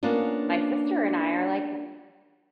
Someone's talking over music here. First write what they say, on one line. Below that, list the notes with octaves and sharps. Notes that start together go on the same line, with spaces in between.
my sister and I are, like
A#3 B3 C#4 D4 F4